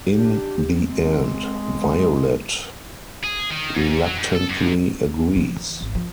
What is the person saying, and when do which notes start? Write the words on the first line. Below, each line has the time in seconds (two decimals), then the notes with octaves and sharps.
In the end, Violet reluctantly agrees.
0.12 D4 G4
0.84 G#3 C4
3.24 G#4
3.51 D#3
3.75 G#2
4.05 F#3
4.18 G#2
4.35 A4
4.49 F#2
5.37 F3
5.61 E3
5.81 G#1
5.95 F3